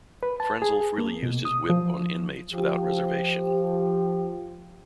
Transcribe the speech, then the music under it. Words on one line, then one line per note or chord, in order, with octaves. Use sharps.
Frenzel freely used his whip on inmates without reservation.
B4
A5
G#4
A#3
B2
D#6
F3
F3 G4